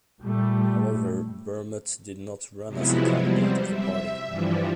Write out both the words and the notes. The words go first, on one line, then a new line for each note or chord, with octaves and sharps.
However, Bermet did not run as a candidate of the party.
A#2 G3 A3
C3 F3 F#3 G#3 B3 E4
C3 G3 C4
E5
G2 E3 F3 G3